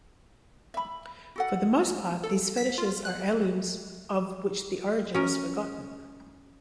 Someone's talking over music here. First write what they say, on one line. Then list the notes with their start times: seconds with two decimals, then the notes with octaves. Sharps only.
For the most part these fetishes are heirlooms of which the origin is forgotten.
0.74 E5 B5
1.36 F#4 A4 F#5
2.24 A4
2.57 B6
2.78 F4
3.05 F#6
5.14 C#4 F#4 A#4